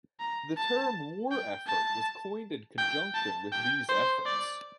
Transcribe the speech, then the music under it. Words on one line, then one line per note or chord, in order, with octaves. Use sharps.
The term "war effort" was coined in conjunction with these efforts.
A#5
A5
G5
A5
G5
A5
G5
C5
D5